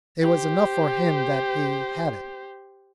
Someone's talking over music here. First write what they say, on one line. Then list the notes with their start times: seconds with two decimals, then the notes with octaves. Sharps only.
It was enough for him that he had it.
0.22 G4 C5